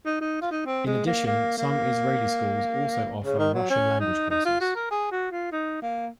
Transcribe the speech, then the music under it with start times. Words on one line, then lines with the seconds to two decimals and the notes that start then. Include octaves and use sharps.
In addition, some Israeli schools also offer Russian language courses.
0.06 D#4
0.21 D#4
0.42 F4
0.51 D#4
0.66 C4
0.86 G#3
1.07 A#3
1.27 A#3
1.58 A#3
3.24 C#3
3.39 D#3
3.54 F#3
3.70 C#4
4.00 D#4
4.31 D#4
4.45 F4
4.61 F#4
4.76 A#4
4.91 G#4
5.11 F#4
5.32 F4
5.52 D#4
5.82 A#3